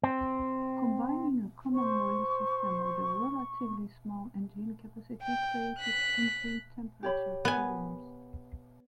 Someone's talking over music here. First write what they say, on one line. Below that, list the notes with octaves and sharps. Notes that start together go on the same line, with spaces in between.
Combining a common-rail system with a relatively small engine capacity created engine temperature problems.
C4
C5 C#6
G5
F#6 B6
G4 C#5 B5
B3 G#5